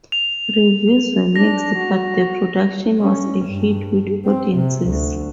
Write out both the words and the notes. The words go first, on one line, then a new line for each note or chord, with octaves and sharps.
Reviews were mixed, but the production was a hit with audiences.
F7
D4 A#6
F#4
C#4
G2
C4
C3
D2